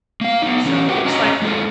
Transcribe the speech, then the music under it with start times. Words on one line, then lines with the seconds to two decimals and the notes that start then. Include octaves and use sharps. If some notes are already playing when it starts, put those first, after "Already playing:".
so, it looks like
0.21 A#3 F5
0.42 B3 D#4
0.65 E3 C#4
0.89 F#4 G4 B4 F#5 G5
1.05 C#4 C5 C#5 D#5 A#5
1.42 G#3 A#3 F4 A4 C5